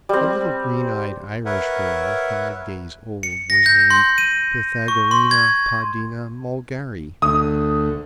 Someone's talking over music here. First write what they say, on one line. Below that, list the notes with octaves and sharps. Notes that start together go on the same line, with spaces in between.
A little green-eyed Irish girl, five days old, was named Pythagorina Podina Mulgarry.
G3 C4
A#4 B4 C#5 E5 F#5
C#7
A#6
G6
C6
D#7
C#6
C6
G#6
D2 D#6